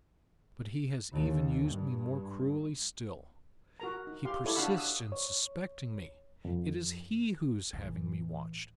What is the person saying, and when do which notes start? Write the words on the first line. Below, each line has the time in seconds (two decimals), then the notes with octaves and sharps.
But he has even used me more cruelly still; he persists in suspecting me; it is he who is having me watched.
1.11 D#2
1.65 G2
3.80 F#4 A#4 A#5
4.07 D#4
4.25 G4 F5 C6
4.44 E4 G4 A4 C#5
4.56 D4 F#4 F5 F#5 B5 E6
4.78 D#6 E6
5.12 C#5
6.45 F2
7.73 A2 E3